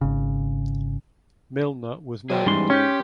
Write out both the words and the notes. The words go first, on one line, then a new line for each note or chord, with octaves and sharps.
Milner was married.
G#1 C#3
F#3 G#4 C5 G5
E2 G#2 G3 C#4 C6
C#4 G4 C6 G6